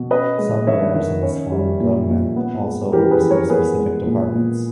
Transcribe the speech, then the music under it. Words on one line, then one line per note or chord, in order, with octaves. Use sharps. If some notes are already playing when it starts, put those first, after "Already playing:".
Some mayors in this form of government also oversee specific departments.
Already playing: B2
C#4 B4 D#5
G#3
D#3 C#5 E5
D#3
C#4
G3
A#2
A#2
B3
G#3
E3 G4 A#4
G#4 B4
E3
A#4 C#5
B3 G#4 B4
G#3
A#2
A#2